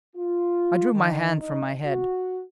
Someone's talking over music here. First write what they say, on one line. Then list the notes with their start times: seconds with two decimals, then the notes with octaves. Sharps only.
I drew my hand from my head.
0.16 F4
0.93 D#3
1.40 D#4
1.85 F#4